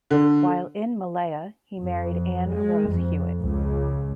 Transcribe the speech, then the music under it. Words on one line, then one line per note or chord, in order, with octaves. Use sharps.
While in Malaya, he married Anne Rose Hewitt.
D3
F2
G#3
F2
C#2